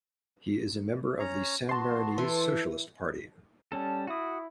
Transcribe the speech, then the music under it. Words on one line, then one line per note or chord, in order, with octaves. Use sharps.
He is a member of the San Marinese Socialist Party.
C#4 C#5 A#5
B3 F#4 A5 C6
E3 A4
G3 C#4 A4 A5
E4 F#4 D#6